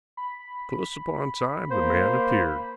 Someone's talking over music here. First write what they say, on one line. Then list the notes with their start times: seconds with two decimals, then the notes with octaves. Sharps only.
Close upon time the man appeared.
0.17 B5
1.71 A#3 C5